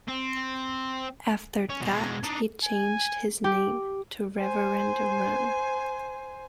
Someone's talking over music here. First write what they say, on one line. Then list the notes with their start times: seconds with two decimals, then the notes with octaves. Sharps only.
After that he changed his name to "Reverend Run".
0.08 C4
1.69 C#4
1.81 B2 G#3
2.23 D4 D#4
2.64 G#5
3.44 G4
4.40 C5 G#5